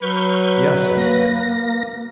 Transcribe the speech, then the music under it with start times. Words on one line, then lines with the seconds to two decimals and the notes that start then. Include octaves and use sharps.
"Yes," I said.
0.02 F#3 B4 C#6 F6 G6
0.97 A#3 A#6